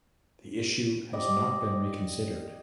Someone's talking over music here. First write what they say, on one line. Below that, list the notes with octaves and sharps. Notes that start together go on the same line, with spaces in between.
The issue has not been reconsidered.
G4 D5 D#5